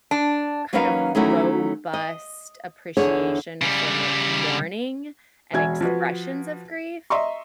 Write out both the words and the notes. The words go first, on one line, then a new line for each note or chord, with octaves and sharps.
kind of robust appreciation for mourning and expressions of grief.
D4
F#3 A#3 C#4 D#4 B4 F5
D#3 F#3 A3 C#4 E4 F#4
D#5
E2 D3 D4 G#4 C#5
C#3 G3
E1 F#4 E5 G#5 G#6
F3 F#4 B4
D#5 E5 A#5 C6 C#6